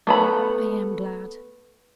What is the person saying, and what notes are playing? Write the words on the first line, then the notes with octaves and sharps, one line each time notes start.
'I am glad.
A3 B3 B5